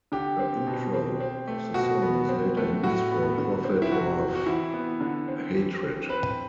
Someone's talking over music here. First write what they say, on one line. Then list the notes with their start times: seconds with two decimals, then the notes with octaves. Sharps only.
The intro of the song was later used for "Prophet of Hatred".
0.12 D3 G4
0.39 C4
0.67 B2
0.93 C4
1.20 C4
1.47 A3
1.74 B2 F#4
2.02 B3
2.29 C4
2.57 A3
2.83 A2 F#4
3.11 B3
3.38 D3
3.64 C4
3.82 E4
3.92 C3 F#4
4.19 C4
4.35 F#4
4.46 E3 E4
4.73 B3
5.01 D3
5.28 C4
5.55 E3
5.83 C4
6.09 C4 B4